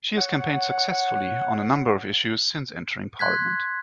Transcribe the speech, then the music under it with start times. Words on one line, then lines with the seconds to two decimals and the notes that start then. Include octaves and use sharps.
She has campaigned successfully on a number of issues since entering parliament.
0.16 C#5 F#5
3.19 C6 F#6 G#6 B6